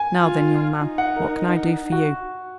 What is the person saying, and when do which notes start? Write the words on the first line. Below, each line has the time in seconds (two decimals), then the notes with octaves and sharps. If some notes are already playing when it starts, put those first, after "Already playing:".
"Now then, young man, what can I do for you?"
Already playing: G#5
0.22 F4
0.79 D#4
0.98 F#5
1.16 A#4
1.92 F#4